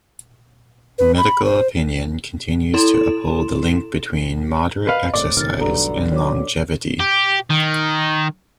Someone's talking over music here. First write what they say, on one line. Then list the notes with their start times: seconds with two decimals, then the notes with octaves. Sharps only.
Medical opinion continues to uphold the link between moderate exercise and longevity.
0.98 B4
1.18 B5
1.45 C5
2.74 E4 A4 C6 E7
4.87 B4 D#5 F5
5.14 G1 A2 C4 D5
5.37 F#1 C3 D#3 F6 A6
5.59 E1 B1 G2 D3 B3 F#4 A4 A#5
6.12 F#3 C#5 D6
7.00 G4
7.50 D#3